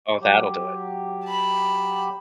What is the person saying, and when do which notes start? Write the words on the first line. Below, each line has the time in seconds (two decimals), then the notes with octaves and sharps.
Oh, that'll do it.
0.21 F#3 G4
1.25 A5 B5